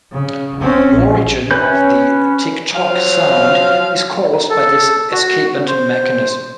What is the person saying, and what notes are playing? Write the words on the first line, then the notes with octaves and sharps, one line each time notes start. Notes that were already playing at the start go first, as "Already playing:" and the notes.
The origin of the "tick tock" sound is caused by this escapement mechanism.
C#3
C4 C#4
A#1
C#4 B4 B5 G6
F3 F#3 F4 F5
A4
F#4
C5